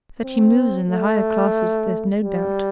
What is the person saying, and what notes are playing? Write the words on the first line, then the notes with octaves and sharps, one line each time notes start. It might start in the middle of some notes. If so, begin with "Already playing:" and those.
That he moves in the higher classes there's no doubt.
C4
A3
G3